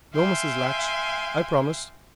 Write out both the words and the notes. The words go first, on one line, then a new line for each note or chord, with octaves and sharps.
"No, Mrs. Latch, I promise."
E5 F5 G5 G#5 C6